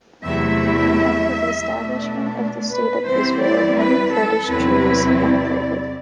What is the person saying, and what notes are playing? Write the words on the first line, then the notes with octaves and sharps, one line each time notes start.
After the establishment of the State of Israel, many Kurdish Jews emigrated.
E2 C3 F#3 A3 E4 E5
B2 A3 D4
B4
F#2 E3 G3 C4 E4 C5
D5
B4
A4
E2 C3 F#3 C4 E4 B4
D5